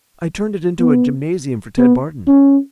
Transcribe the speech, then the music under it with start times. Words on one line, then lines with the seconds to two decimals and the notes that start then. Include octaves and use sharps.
I turned it into a gymnasium for Ted Barton.
0.79 B3
1.78 B3
2.28 C#4